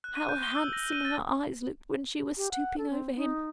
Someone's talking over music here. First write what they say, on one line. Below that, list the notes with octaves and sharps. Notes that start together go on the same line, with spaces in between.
How handsome her eyes looked when she was stooping over him!
F#6
D#7
G6
G7
E6
A#6
D#7
A6
G4
F#5
A4
C4
D#4